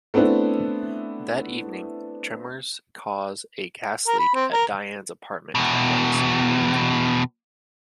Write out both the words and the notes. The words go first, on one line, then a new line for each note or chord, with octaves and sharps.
That evening, tremors cause a gas leak at Diane's apartment complex.
A3 B3 C4 D4 E4
A#4
B5
C4
A#4
E2 B2